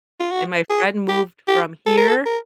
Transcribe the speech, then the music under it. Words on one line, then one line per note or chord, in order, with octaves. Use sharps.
and my friend moved from here
F4
F#4
G#4
G4
G4
A4
A#4
A4
A#4